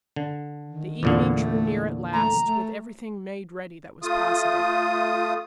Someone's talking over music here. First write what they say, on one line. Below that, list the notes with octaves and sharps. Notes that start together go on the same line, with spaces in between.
The evening drew near at last, with everything made ready that was possible.
D3
D#3
E2 A#2 D3
A3
A3 A#5
A3
A3 F4 D#6